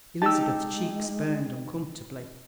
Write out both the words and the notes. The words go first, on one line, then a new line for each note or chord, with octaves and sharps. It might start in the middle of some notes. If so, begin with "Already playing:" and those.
Elizabeth's cheeks burned uncomfortably.
G#3 D#4 G4 A5 E6